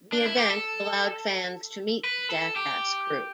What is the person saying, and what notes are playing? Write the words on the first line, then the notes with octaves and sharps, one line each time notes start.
The event allowed fans to meet the "Jackass" crew.
D4
E4
G4
A4
B4
A4
G4